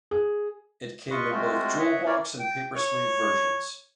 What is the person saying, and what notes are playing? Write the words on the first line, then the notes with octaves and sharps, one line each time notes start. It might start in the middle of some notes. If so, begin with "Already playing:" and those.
It came in both jewel box and paper sleeve versions.
G#4
F4 B4 D#5 C#6
G#3 A3 C4 F4 F#4
C#5 D#5 E5 F#5
C#4 A#4 C#5 D5
G5
C#5